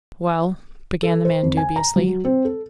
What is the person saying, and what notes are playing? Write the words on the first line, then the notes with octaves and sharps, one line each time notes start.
"Well--" began the man dubiously.
A4
C5
F2
G#5
A#5
F#3
C4
A4